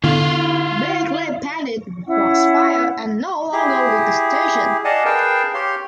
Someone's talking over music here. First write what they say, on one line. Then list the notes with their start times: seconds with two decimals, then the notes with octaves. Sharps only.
Big Lip Bandit was fired and no longer with the station.
0.04 D3 B3 E4 F4 F5
2.07 C#4 E4 F#5
3.52 E4 G4 G#4
4.85 D5 D#5 F5 F#5 G#5 A5
5.05 G#4 A#4 B4 F5 G5 A5
5.54 G4 C#5 F5 C6